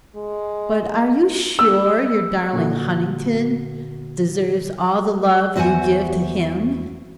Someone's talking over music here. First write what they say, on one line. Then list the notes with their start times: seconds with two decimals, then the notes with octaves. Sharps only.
But are you sure your darling Huntingdon deserves all the love you give to him?'
0.16 G#3
1.59 E6
2.53 A#2 D3 F#4
5.56 E2 F#4 C5 F#5 G#5